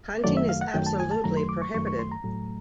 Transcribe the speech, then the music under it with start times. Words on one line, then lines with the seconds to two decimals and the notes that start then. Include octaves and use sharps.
Hunting is absolutely prohibited.
0.24 F#2 D#3 F#3 A3 D5
0.37 E5
0.49 F5
0.61 F#5
0.74 F#2 D#3 F#3 A3 G5
0.86 A5
1.00 G#5
1.11 A5
1.24 F#2 D#3 F#3 A3 A#5
1.37 C6
1.49 D6
1.62 C#6
1.74 F#2 D#3 F#3 A3 C#6
1.87 C#6
1.99 C6
2.12 A#5
2.24 A2 F#3 A3